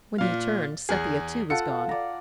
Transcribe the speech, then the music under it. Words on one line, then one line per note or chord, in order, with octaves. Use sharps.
When he turned, Sepia too was gone.
A#2 F5
E2 G#4
F4 A4 F#5 C#7
D5 A#5